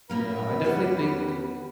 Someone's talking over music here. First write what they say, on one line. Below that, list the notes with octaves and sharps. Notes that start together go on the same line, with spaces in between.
Yeah, I definitely think
F#2 A#3 A#4 B4
E2 C#4 G4 F#5